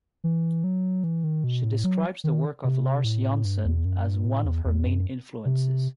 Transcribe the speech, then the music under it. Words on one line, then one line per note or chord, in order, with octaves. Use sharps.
She describes the work of Lars Jonsson as one of her main influences.
E3
F#3
E3
D#3
B2
A2
F#3
D#3
C3
A2
G2
E2
F#2
G2
A2
E2
E2
F#2
C3